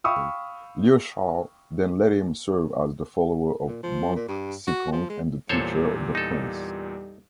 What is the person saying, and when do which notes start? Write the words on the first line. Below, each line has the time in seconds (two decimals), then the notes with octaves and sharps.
Liu Shao then let him serve as the follower of Monk Sikong and the teacher of the prince.
0.04 F5 G5 B5 C#6 D#6 E6
3.67 A#2
3.83 F3
4.16 A#2
4.28 G2
4.67 F#4
4.92 F3
5.10 G#3
5.49 E2 A#2 G3 A4 C5 C#5
6.15 D#4 A4